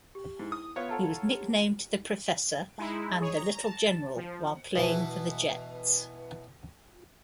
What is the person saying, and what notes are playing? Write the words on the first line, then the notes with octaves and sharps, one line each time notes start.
He was nicknamed "The Professor" and "The Little General" while playing for the Jets.
G4
G#2 E4
D#6
B3 F4 C#5
F4 A4 C#5 F#5 A5 A#5
G#3 D#4 E4
G#4 C#5
A#5
A5
F3
B2 E3 A5